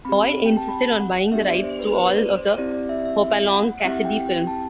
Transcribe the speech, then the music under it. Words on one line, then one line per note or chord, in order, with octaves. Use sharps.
Boyd insisted on buying the rights to all of the Hopalong Cassidy films.
C4 G4 B5
G5
A5
B5
F#5
B3 D4 G4 E5
D5
C5
B4
B4
C5
D5
C5
C4 E4 G4 D5
D5
E5
E5
F#5
E5
C4 E4 G4 F#5
G5
G5
A5